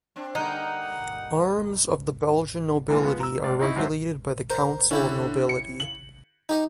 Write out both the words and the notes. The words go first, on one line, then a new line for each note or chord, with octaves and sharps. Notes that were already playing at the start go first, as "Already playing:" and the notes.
Arms of the Belgian nobility are regulated by the Council of Nobility.
C4 D4
D3 G3 A#3 D#4 F#5
G#2 C3 E3 A#3
F3 G#3 B3
A#5 E6
C#2 D5
C4 D#4 E4 C#6
E2 G#2 F#3 C5 E5
A#4 C5
D3 C#4 E4 G4
C#7
F#7
D#4 G4 D#5